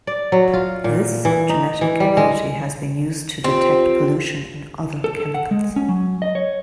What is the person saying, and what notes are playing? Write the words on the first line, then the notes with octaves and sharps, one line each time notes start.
This genetic ability has been used to detect pollution and other chemicals.
D5
F#3
F4
A#2
E3
D#4
E3
G3
G#3
C4 F4 G4
A4
A4
F#5
G#3
C#4
F#3
D#5
C#5